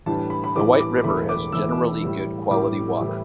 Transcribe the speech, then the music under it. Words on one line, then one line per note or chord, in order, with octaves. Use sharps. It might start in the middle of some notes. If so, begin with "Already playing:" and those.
The White River has generally good-quality water.
A2 E3 G3 D4 A5
B5
B5
A2 E3 G3 D4 D6
D6
E1 E2 E3 A3 E4 B5
D6
E1 E2 E3 A3 E4 E6
A2 G3 E4
A2 G3 E4 D6
A2 E3 G3 E4